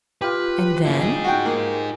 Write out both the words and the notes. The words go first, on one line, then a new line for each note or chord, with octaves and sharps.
"And then?"
F4 G4 B4
A#3 E4
D#4 G#4
F#4 G5
A#3